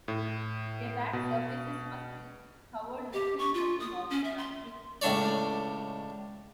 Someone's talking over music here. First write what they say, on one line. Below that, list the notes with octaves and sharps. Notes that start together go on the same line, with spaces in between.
Their back surfaces must be covered in a thin coating of Brunswick black.
A2
B2
G4
C#6
F4
D#6
C#4
E5
C6
C#2 A2 D4 C#5 D5